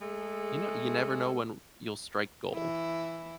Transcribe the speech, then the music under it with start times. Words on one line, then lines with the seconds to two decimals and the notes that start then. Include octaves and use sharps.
you kno you never know when r you'll strike gold.
0.01 G#3 A3 G#4 A4
2.53 E3 E4